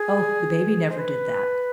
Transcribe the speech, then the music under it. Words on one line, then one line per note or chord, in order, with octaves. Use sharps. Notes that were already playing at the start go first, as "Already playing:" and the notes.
Oh, the baby never did that.
Already playing: G#4
C5
B4